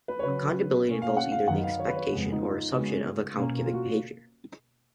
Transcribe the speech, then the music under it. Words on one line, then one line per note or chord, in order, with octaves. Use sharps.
Accountability involves either the expectation or assumption of account-giving behavior.
B4
C#5
C#3 F#3 C#4 B4
B2 A#3 C#4
F5
F#5
F5
F#2 D#3 F#3 B3 F#5
F5
C#5
B4
C#5
F2 C#3 G#3 B3
D#4
F4
C#3 G#3 B3 F#4
B2 A#3 C#4
F4
F#4
F4